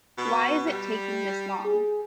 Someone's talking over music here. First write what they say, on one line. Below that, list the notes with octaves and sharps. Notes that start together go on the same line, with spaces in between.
Why is it taking this long?
B2
G3
G#4